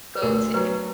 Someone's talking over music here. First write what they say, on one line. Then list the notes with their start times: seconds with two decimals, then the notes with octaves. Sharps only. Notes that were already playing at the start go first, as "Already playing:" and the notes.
go to Em
0.15 B4
0.22 D2 A#4
0.54 F#3 B4